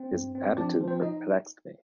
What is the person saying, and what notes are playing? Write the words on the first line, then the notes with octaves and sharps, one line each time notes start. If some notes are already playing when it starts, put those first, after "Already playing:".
His attitude perplexed me.
Already playing: C4
G2
C4
F3 D4 D5
F3
C4 C5
D#4 D#5